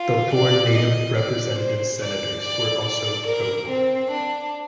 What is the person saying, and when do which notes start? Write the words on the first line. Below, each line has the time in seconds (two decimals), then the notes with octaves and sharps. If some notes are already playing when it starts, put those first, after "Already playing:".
The four Native Representative Senators were also pro-war.
Already playing: F4
0.34 D5
0.75 D#5
1.17 D5
1.59 C5
2.01 D5
2.43 D5
2.85 D5
3.26 A#4
3.68 C4
4.11 D4